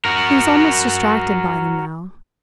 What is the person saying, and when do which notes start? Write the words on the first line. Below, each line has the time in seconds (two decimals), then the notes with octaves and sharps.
He was almost distracted by them now.
0.05 F#4 A#4